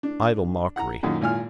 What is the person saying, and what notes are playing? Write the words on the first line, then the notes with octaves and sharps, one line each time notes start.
Idle mockery.
D4
F#5 A#5
F#2 A#2 D#3 A#3
G#1 A#2 G#5 F6